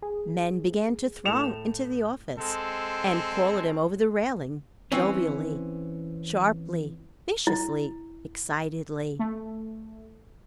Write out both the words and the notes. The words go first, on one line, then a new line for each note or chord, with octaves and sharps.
Men began to throng into the office and call at him over the railing, jovially, sharply, viciously, excitedly.
G#4
A2 E7 F7
G#3 C4 A4
E3 C4 C#4
E4
A3